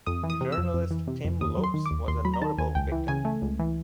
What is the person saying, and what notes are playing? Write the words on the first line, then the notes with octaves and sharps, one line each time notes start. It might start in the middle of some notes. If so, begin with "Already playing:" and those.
Journalist Tim Lopes was a notable victim.
F2 D#6
E3
D#6
C3
E6
F2
F2
E3
C3
F2
D#2 D#6
F#3
C6
D#3
D6
D#2
D#2 C6
F#3 B5
A#5
D#3 A5
D#2 G#5
C#2 G5
E3
C#3 G#5
A3
C#2
E3